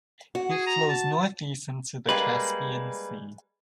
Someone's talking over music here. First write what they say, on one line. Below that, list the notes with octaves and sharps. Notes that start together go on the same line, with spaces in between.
It flows northeast into the Caspian Sea.
F#4
G#4
A#5
A5
G3 G#3 A#3 B4